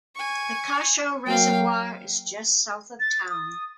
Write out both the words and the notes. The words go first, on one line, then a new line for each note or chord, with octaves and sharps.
Picacho Reservoir is just south of town.
G#5 C#6
F#3 A#3 F5 G5
A6
D#6